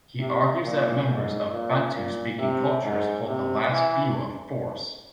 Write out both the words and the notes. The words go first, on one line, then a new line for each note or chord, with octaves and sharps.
He argues that members of Bantu-speaking cultures hold the last view of force.
C3
A#2
G#2
A#2
A#2
C3
G#2
C3
E3